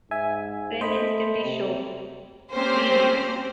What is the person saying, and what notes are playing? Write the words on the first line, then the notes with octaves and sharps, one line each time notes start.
Ren and Stimpy Show: Veediots!
G#2 E5 G#5
A3 C5 D#5 B5
C3
A#3 C4 C#4 G4 C5